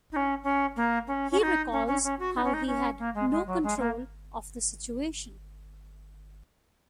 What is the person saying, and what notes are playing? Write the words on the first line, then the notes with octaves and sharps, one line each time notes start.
He recalls how he had no control of the situation.
D#4
C#4
C#4
A#3
C#4
C#4
F#4
D#4
C#4
C#4
C#4
F#4
D#4
C#4
D#4
C#4
A#3
G#3
G#3
F#3
G#3
A#3